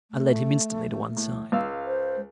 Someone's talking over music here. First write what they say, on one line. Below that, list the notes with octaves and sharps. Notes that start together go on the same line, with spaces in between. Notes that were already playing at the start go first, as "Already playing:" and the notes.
I led him instantly to one side.
A3
A2
C#2 F5 E6
C5